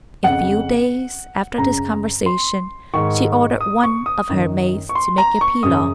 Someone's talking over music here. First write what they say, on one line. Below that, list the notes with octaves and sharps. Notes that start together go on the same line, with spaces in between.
A few days after this conversation she ordered one of her maids to make a pilaw.
F2 C#3 F#5
F#2 C#3 A#5
C6
G#2 D#3 C#6
D#6
C#6
D#6
F#2 D#3
C#6
C6
A#5
C#6
F#2 C#3 D#6